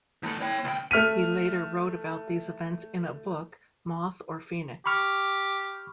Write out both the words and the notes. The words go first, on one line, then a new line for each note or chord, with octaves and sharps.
He later wrote about these events in a book, Moth or Phoenix?
E2 A3
C#5 G5
C#2 G5
A3 F6 B6 D#7
G4 B5 C#6 F6